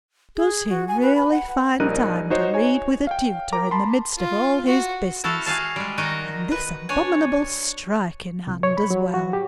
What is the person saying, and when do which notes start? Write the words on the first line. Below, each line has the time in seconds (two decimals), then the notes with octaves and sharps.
Does he really find time to read with a tutor, in the midst of all his business,--and this abominable strike in hand as well?'
0.36 G#4
0.69 F#4
0.88 G#5
1.02 B4
1.16 B5
1.31 F#5
1.80 A#1 G3 D#4 A#4 F#6 D#7
2.30 D#4 F#4 C5 C#5 D#5
2.54 C#5 G#5
3.07 F5 G5
3.52 A#4 A#5 D6
3.71 A5 B5 C6
4.17 F4
4.67 F#4
5.24 E4 F#4 A4 F5
5.46 F#4 G#4 F5 A5
5.76 G3 G#3
5.98 D#3 D#4 F#4 A#4 D#5
6.52 B4
6.89 D4 C#5 G#5
8.47 C2
8.63 C#5
8.77 B5
8.90 F#3
9.14 F#4
9.33 G4